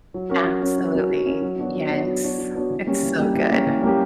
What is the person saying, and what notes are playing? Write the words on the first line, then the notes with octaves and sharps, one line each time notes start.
Absolutely. Yes. It's so good.
F#3
C#4 F#4 A#4
F#3
C#4 F#4 A#4
F#3
C#4 F#4 A#4
F#3
C#4 F#4 A#4
F#3
B3 D4 F#4 C#5
F#3
B3 D4 F#4 C#5
F#3
B3 D4 F#4 C#5
F#3
B3 D4 F#4 C#5
E3
G3 A#3 C#4 G4
E3
G3 A#3 C#4 G4
E3
G3 A#3 C#4 G4
E3
G3 A#3 C#4 G4